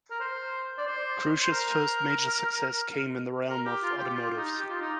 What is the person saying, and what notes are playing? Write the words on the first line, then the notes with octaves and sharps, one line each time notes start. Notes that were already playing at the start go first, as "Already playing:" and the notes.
Cruce's first major success came in the realm of automotives.
A#4
C5
D5
C5
C5
A#4
A#4
G4
F4
G4
F4
D#4
G4
F4
D#4